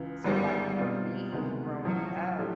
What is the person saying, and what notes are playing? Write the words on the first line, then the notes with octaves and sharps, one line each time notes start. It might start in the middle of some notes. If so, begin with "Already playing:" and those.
So, like, for me growing up
Already playing: C#2 C#3 E3
G1 F#2 D#3 G3 G#3 B3
B2 G3 C4 F4
D2 C3 D#3 G#3 B3
A1 A2 F3 F#3
A2 F3 A3 D4 G4